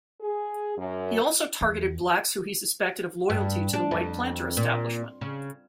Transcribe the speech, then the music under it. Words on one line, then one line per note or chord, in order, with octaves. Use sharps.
He also targeted blacks who he suspected of loyalty to the white planter establishment.
G#4
F#2
E2
G2
D4
F2
A#2
C#3